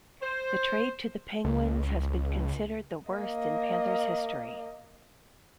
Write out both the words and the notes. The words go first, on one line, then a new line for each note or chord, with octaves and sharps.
The trade to the Penguins has been considered the worst in Panthers history.
C5
C#2
A#3 D#5